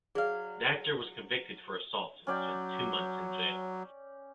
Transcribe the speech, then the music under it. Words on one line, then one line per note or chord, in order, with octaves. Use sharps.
The actor was convicted for assault and spent two months in jail.
F#3 G#4 D5 F5
F#3 C#4 D5 G5